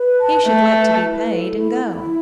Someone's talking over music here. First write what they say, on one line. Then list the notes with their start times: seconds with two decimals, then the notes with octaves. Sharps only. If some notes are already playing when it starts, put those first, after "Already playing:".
He should like to be paid, and go.
Already playing: B4
0.19 A5
0.46 A3 A5
0.74 B4
1.01 E4
1.29 A4
1.56 E4
1.84 E4